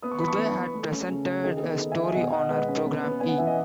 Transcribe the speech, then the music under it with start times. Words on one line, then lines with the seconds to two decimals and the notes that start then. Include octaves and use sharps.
Gubbay had presented a story on her program E!
0.02 B3 D#6
0.11 C#6
0.20 E3 B5
0.27 A5 C#6
0.37 B3
0.56 B3
0.74 A3
0.91 C#4
1.08 C#3
1.26 C#3
1.44 D#3 G#4
1.57 B3 G#4
1.68 A4
1.79 D#3
1.91 E5 G#5
1.98 D#3
2.14 B2 D#5 F#5
2.32 B2 D#5 F#5
2.50 G#3 B4 D#5
2.68 C#4
2.85 B3
3.04 B3
3.20 B3 G#5
3.29 F#5
3.38 E3 E5
3.47 D#5